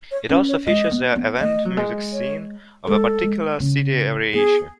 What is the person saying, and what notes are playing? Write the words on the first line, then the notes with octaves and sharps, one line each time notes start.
It also features the avant music scene of a particular city every issue.
C#5
C#4 B4
C#5
G#3 D#5
B3
B3
A3 D#5
F#3
G#3
C#5
G#3 A4
G#3
C#3
B3 G#4